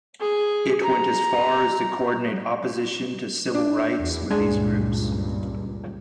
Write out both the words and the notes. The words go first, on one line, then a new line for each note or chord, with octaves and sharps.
It went as far as to coordinate opposition to civil rights with these groups.
G#4
A#5
D4
E2
C#2 G2 A#2 G#3 D4 G#5